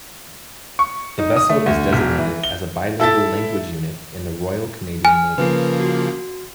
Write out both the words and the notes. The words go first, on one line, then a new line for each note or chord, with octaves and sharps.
The vessel is designated as a Bilingual Language Unit in the Royal Canadian Navy.
C#6
D#4
D#6
A3
D2
E1
E3
G7
E4 A4 E5 A6
G#5 F6
C#3 F3 A#3 B4
F#4